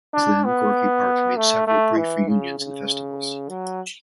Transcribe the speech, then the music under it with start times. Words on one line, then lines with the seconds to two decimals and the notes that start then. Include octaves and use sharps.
Since then, Gorky Park made several brief re-unions in festivals.
0.13 D4
0.44 B3
1.37 A3
1.67 A3
1.97 E3
2.28 C#3
2.58 C#3
3.49 F#3